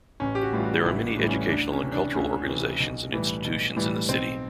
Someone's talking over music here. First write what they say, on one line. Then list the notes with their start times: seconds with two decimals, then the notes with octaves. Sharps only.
There are many educational and cultural organizations and institutions in the city.
0.20 A1 C#4
0.35 G4
0.42 F#4
0.52 A2 E3 G3 F4
0.63 F#4
0.85 A1 E4
1.07 D4
1.17 A2 E3 G3
1.29 C#4
1.49 D2 D4
1.72 C#4
1.83 C3 E3
1.93 D4
2.14 D2 C#4
2.47 C3 E3
2.80 B1
3.12 A2 E3 G3
3.44 B1
3.76 A2 E3 G3
4.09 B1 C4